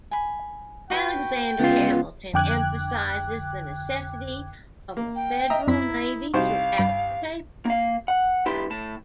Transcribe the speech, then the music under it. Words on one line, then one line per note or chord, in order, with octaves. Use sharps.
Alexander Hamilton emphasizes the necessity of a federal navy throughout the paper.
G#5 B5
F#4 B4 G5 C#6
C#2 B3 F4
F2 D3 G5 D6 F#6 G#6
A#3
G5
D#5 E5 A#5
F#2 C4 E4 B6
C2 D#4 F#4 C5 F5
G2 B5 D7
A#3 F5
F#5
B1 E4 G4 B4 A5 C6
A2 A5